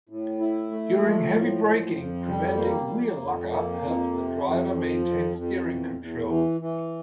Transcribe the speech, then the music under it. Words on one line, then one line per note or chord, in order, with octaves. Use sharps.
During heavy braking, preventing wheel lock-up helps the driver maintain steering control.
A2
E4
A3
F3
A2
F3
F2
G3
A#3
F2
F2
A#3
F2
C3
F2
F3
F2
F2
E2
E2
E3
E3